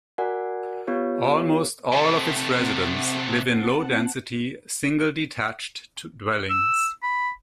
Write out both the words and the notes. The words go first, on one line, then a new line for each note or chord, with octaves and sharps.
Almost all of its residents live in low-density, single detached dwellings.
F#4 A#4 D5 F#5 G#5
B3 F4 G4 C#5
C3 A3 C4 F#5 A5
E6
B5